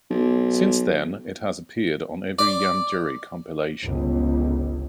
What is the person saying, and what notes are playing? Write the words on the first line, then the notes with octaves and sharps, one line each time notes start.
Since then it has appeared on every Ian Dury compilation.
B1
D5
G1 C#2